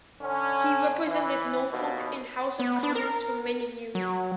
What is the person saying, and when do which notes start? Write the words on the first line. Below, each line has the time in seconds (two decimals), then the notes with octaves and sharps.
He represented Norfolk in House of Commons for many years.
0.22 D3 C#4
1.08 E3
1.72 D#2 B2
2.59 B3
2.83 D4
2.95 A#4
3.95 F#3